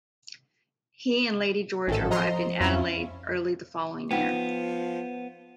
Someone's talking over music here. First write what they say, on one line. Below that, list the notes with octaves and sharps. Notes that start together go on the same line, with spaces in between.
He and Lady George arrived in Adelaide early the following year.
A1 G#2 D#3 A4
F3 D#5 A#5 C6
F2 C#4 E4 F4
F3 B3 D#4 F#5 G5